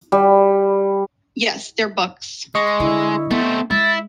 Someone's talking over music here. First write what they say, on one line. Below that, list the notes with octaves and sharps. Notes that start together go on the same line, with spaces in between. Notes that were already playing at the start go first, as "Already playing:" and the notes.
Yes, they're books.
G3
G#3 D#5 C#6
D3 E4
A3 B3 C4
G#3 E4 A6